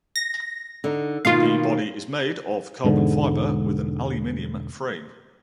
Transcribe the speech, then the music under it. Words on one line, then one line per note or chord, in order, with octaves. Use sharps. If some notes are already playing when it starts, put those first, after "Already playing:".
The body is made of carbon fiber with an aluminum frame.
A#6
D3 D#4
B2 D#3 A#3 F4 F5
E1 G#2 D3